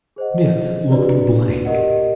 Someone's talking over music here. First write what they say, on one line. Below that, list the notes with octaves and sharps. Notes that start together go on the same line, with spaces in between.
Smith looked blank.
G#4 C5 D#5 F#5
D4 F#4 B4 D5
G4 A#4 D#5 F#5